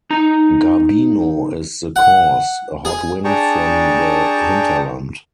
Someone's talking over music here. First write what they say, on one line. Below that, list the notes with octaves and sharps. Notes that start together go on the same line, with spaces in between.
Garbino is the cause, a hot wind from the hinterland.
D#4 A#5
F#5
G#4
D4 G#4 G5 A5 A#5 C#6